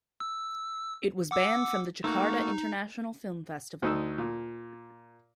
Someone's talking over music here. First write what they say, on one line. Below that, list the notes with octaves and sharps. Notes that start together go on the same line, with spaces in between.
It was banned from the Jakarta International Film Festival.
E6
F#5 D6 E6
A3 A#3 D#4 F#4
D2 D#4 E6
A#2